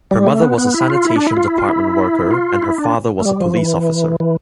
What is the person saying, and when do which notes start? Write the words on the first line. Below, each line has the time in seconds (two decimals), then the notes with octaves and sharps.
Her mother was a sanitation department worker and her father was a police officer.
0.11 G3
0.26 A3
0.42 B3
0.58 B3
0.74 E4
0.90 F4
1.05 E4
1.16 D4
1.26 E4
1.37 F4
1.48 E4
1.58 F4
1.69 E4
2.31 F4
2.62 E4
2.78 D4
3.20 A3
3.25 G3
3.40 F3
3.57 E3
4.20 E3